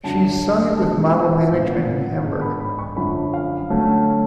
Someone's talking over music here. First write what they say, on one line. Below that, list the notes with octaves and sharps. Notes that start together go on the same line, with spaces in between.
She's signed with Model Management in Hamburg.
F#2 D3 F#3 A5
B2 G#3 D4 A5
F#5
A2 F3 B3 D4 F5
F#5
G#2 G#3 B3 D4
B5
B5
C#6
F#2 D3 F3 B5
F5
D3 F#3 A3 C#4